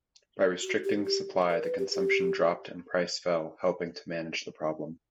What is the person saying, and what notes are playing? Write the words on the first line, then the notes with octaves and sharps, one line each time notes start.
By restricting supply the consumption dropped and price fell helping to manage the problem.
F#4
G4
G4
A#4
B4
G4
G4